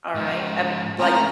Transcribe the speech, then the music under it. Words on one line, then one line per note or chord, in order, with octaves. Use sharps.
All right. Uh like,
G#2 F3
A3 C4 C#4 A#5